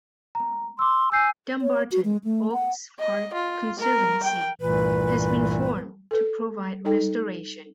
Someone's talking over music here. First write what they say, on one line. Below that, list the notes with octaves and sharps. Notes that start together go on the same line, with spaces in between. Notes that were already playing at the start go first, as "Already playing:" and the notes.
Dumbarton Oaks Park Conservancy has been formed to provide restoration.
A#5
C6 D6 E6
G#5 E6 G6 C7
C#5
F#4
G#3
A3
F#5
D#5
F4
A#4
G5
C2 G2 A#2 E3 A3 B4
A4 B4
G3 D#4 A4 G5